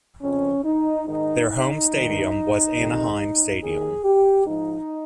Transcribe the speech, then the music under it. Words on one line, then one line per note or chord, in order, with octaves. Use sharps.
Their home stadium was Anaheim Stadium.
F2 C#3 F3 C#4
D#4
G#2 D#3 D#4
D#4
G2 D#3
F2 C3 D#3
D#2 D#3 G#4
G4
G#2 F3 D#4